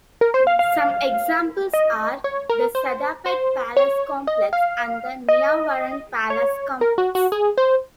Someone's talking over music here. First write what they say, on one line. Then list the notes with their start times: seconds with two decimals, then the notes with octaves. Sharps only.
Some examples are the Sa'dabad Palace Complex and the Niavaran Palace Complex.
0.21 A#4
0.34 C5
0.47 F5
0.59 F5
1.74 D#5
2.24 C#5
2.50 A#4
2.75 C5
3.26 C5
3.77 C#5
4.27 D#5
4.53 F5
5.29 D#5
6.30 C#5
6.81 A#4
6.98 F#4
7.15 F#4
7.32 G#4
7.58 C5